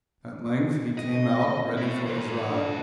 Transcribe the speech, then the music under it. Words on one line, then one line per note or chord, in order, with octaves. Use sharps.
At length he came out, ready for his ride.
A3 C4 D#5
E4 C#5
A4 C5
A#2 D3